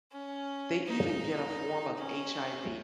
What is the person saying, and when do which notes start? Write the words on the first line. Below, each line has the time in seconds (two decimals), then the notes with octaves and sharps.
They even get a form of HIV
0.12 C#4
0.86 D#4
1.98 C#4